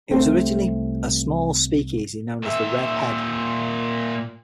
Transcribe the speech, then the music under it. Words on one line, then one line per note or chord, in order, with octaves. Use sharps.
It was originally a small speakeasy known as the Red Head.
C2 A3 C4
A#2 E5